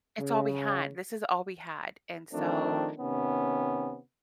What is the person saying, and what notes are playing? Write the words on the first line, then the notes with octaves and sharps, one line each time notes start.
it's all we had, this is all we had. And so
C#3
D#3 F3 A3 C4 D4
C3 D#3 B3 C#4